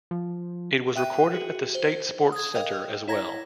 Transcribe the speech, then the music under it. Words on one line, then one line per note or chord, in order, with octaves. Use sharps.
It was recorded at the State Sports Centre as well.
F3
E5 G5 F#6 D#7
F#4 G#4
C5
D#6 G#6
A#4 D#5 F5 G5
E4 C#5 A#5 G#6 A#6